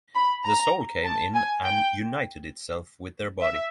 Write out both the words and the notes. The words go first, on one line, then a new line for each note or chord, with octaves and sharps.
The soul came in and united itself with their body.
B5
A#5
A5
G#5
G5
E5